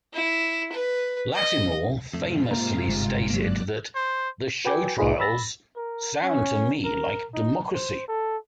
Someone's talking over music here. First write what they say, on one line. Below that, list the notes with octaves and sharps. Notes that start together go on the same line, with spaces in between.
Lattimore famously stated that the show trials "sound to me like democracy".
E4
B4
D#5
F2 G#2 C3 A3 F4
A#3 A#5
G1 G#3
F#3 A#3 D5 F#6
C5
F#4 B4 G5 G#5 D6
C2 A2 D#4 F4 G#4 B4
B5 E6 A6 A#6
A#4
C#4
A#4
D#4
C5
A4